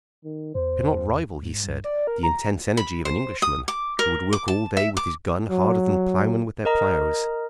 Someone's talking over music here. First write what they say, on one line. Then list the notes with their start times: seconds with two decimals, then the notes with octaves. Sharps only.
He could not rival, he said, the intense energy of an Englishman, who would work all day with his gun harder than ploughmen with their ploughs.
0.25 D#3
0.55 E2 C5
1.42 G#2
1.63 G2
1.84 D5
2.07 A#4
2.23 A#5
2.77 B5
3.05 C5
3.42 D#6
3.68 D6
3.99 A#4
4.33 D6
4.48 A5
4.77 E5
4.97 D6
5.49 F#3
6.65 A#4 D#5 A#5